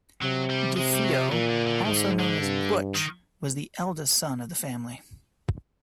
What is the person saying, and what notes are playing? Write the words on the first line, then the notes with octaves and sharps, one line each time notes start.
DeFeo, also known as "Butch", was the eldest son of the family.
C3 F#3
G3
C3 G#3
G3
F#3
F3
A#2 E3
D3
D3
G#2 D#3
D3
D3
G2
D#3